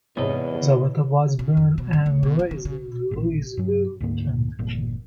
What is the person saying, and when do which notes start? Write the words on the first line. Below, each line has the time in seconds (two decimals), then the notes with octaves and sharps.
Zapata was born and raised in Louisville, Kentucky.
0.17 E2 G#2 C3 E3 B3 C#5 D#5
1.39 C#3
1.57 F2
1.78 B2
1.93 F#2
2.06 D2
2.23 B2
2.39 F2
2.51 C#3
2.65 C#3
3.11 A1 A#2
3.57 G2 F#3
4.01 D2 G#2 A#3
4.59 G1 E2 A#2